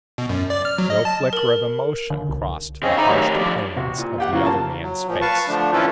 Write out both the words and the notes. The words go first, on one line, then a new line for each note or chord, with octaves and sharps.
No flicker of emotion crossed the harsh planes of the other man's face.
B2
F#2
D5
F6
F#3
D#5
A5
A#4 F#7
D3
C2
C#3 C4 G#4 D#5
D#4 D5 E5 A#5 B5
D#3 F#3 A3 G4
D3 F3 D5
C3 F#4
A#2
F4 G4 F#5
C#3 E3 F3 A#3
A5
F#3
A#2 F3
B4 F5 A5 C#6
D3 F3 A3 D4
E3 C#4 E4 F4 A4 B4